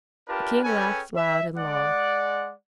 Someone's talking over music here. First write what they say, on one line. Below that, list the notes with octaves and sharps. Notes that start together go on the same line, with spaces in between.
The king laughed loud and long.
D4 F4 G4 A#4 B4 A5
C#4 G#4 A4 B4 G5 G#5
E5
G#3 D5 F#5